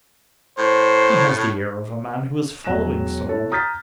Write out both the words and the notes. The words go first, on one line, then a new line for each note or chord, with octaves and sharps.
"He has the air of a man who is following some one."
A2 C5
E1 F#3 F#6 A#6 E7
E4 A4 C#5
A#5 D#6 F6 G6 A6 B6